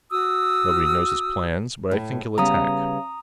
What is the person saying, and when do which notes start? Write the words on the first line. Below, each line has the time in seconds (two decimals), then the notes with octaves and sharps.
Nobody knows his plans, but I think he'll attack.
0.11 F#4 D#6 E6
1.91 A2
2.38 C#3 G3 B3 A#5 D#6